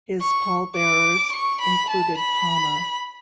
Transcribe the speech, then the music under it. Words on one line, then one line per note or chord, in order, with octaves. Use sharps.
His pall bearers included Palmer.
C#6
D6
C#6
B5
A5
B5